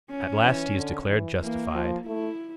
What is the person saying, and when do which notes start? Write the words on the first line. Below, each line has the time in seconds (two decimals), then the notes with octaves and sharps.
At last he is declared justified.
0.10 C#4
0.43 E3
0.76 D3
1.08 E3
1.42 E3 A#3
1.75 F3
2.07 A3 E4